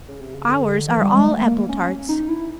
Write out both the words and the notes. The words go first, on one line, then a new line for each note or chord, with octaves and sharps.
Ours are all apple-tarts.
C#3
C3
C#3
D3
E3
G3
G#3
A3
A#3
C#4
D#4
E4